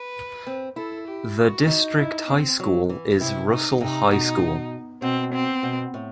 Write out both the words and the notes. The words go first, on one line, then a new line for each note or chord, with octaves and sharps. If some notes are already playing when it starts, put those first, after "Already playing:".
The district high school is Russell High School.
Already playing: B4
C4
E4 A4
G4
F#4
D#4
E4
C4
F#3
E3
C3 E4
D#4
C3 D#4
B2
B2 C4
C4
B2
A2